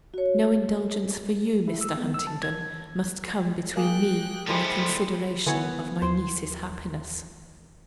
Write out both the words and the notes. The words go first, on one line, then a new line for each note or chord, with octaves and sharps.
'No indulgence for you, Mr. Huntingdon, must come between me and the consideration of my niece's happiness.'
F#4 C#5
E4
E6
B3
E6
A5
G#6
A#3 G#4 G5 F#6
F3 G3 G#3 B3 E4 A4 C5
D3 E3 B3 C#5
D#2 C5